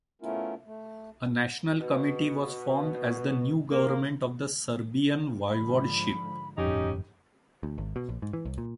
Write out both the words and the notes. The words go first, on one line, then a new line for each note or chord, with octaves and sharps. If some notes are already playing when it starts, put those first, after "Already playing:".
A National committee was formed as the new government of the "Serbian Voivodship".
A3 B3 C#4 E4 F4 A#4
A3
B2
A#3
G#2 D3 F3 B5
G1 F2 A2 C#4 D#4 G4
D2
G#1
B2
A#1
G#2
E3
C2
A#2